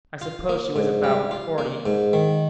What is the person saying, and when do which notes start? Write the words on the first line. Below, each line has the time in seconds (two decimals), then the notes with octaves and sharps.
I suppose she was about forty.
0.21 F4
0.49 A#3
0.76 G#2
1.04 G3
1.31 F4
1.58 A#3
1.86 G#2
2.13 D#3